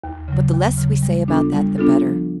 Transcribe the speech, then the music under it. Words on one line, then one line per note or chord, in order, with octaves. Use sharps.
But the less we say about that the better.
D#2
C#3 F#3
D#2
C#3 F#3
G3
B3 D4 F4 A4
G3
B3 D4 F4 A4
F3